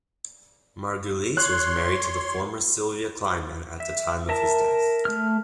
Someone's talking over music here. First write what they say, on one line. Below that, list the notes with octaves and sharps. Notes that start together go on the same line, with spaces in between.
Margulies was married to the former Cylvia Kleinman at the time of his death.
C#5 C6 F#6
E5
A#4 E5 A5
A3 F6